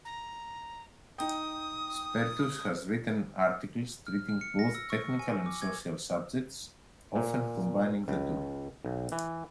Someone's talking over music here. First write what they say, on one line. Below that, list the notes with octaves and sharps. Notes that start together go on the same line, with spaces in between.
Spertus has written articles treating both technical and social subjects, often combining the two.
A#5
D#4 G5 D#6
F6
F6
C#7
A#6
E6
C#6
G#5
D6
G#6
A#2
C#2
B1
E3